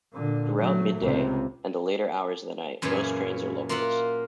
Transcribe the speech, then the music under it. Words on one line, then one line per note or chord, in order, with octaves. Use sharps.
Throughout midday, and the later hours of the night, most trains are locals.
A#2 D3
F#3 A3
C#2 C3
F#2 A#2 E3 C#4 G#4
A#3 F4 A#4 E5 F#5